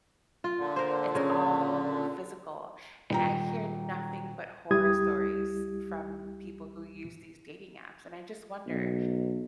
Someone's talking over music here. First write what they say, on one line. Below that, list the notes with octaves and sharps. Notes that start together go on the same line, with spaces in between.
It's all physical. And I hear nothing but horror stories from people who use these dating apps, and I just wonder,
F4
A#2 D3
A#4 C5
C#3 A#4
D#1 G5 A#5
C#2 G3 E4 G4 D#6 G#6
B1